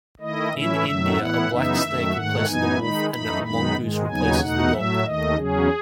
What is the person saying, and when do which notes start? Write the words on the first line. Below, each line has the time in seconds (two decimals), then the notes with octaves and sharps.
In India, a black snake replaces the wolf and a mongoose replaces the dog.
0.20 D#3 A3 E4 D#5
0.52 A2 E3 A3 C#4 E4 E5
0.85 F#2 D#3 F#3 A3
1.16 A2 E3 B3 E4 F#5
1.49 F#2 C#3 E3 B3 D#4 E5
1.81 F#2 D#3 A3
2.13 G#2 D#3 A3 F#5
2.45 F#2 E3 B3 D#4 G#5
2.78 D#3 G#3 D#4 B5
3.10 F#2 E3 A3 D#4 B5
3.43 F#2 D#3 G#3 B3 D#4 B5
3.75 G#2 D#3 G#3
4.07 D#2 C#3 F#3 B3 D#4 G#5
4.39 E2 B2 A3 D#4 F#5
4.72 A2 F#3 A3 E5
5.04 D#2 D#3 A3 D#5
5.36 E2 C#3 F#3 C#4 G#4